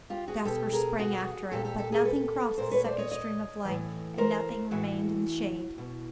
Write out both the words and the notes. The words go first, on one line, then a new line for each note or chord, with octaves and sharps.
Jasper sprang after it, but nothing crossed the second stream of light, and nothing remained in the shade.
F4 G4
F#4 G#4
B2 G4 A4
G#4 A#4
F#4 G#4
A#2 G4 A4
G4 A4
G4 A4
G#4 A#4
A4 B4
A#2 A#4 C5
B4 C#5
C5 D5
C#5 D#5
C#5 D#5
A2 E3
A#4 C5
A2 E3 E4 F#4
B2